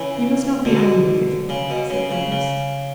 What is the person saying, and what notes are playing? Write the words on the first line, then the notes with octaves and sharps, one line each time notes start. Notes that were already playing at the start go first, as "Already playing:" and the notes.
"You must not be angry with me," said Phineas.
Already playing: C#3 E3
B2 D3
C#3
B2
C#3
C#3
C#3